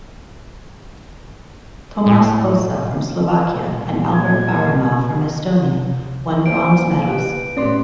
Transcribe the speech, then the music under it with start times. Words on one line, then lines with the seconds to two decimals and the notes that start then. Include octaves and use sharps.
Tomas Kosa from Slovakia and Albert Baranov from Estonia won bronze medals.
2.06 A2
3.49 A#2 G3
4.15 G#6
6.46 A#3 C5 F5 D7
7.07 G4 B4
7.57 A2 B3 C#4 D5 C6